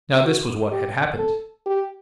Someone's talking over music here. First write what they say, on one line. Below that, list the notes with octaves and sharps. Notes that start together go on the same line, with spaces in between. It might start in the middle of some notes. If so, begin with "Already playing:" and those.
Now this was what had happened.
F#4
G4
A4
G4